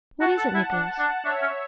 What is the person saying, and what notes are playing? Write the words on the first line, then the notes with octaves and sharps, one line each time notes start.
"What is it, Nicholas?"
F#4 F#5 A5
A4
E4
D4
D4
D4 C#5 E5
C#4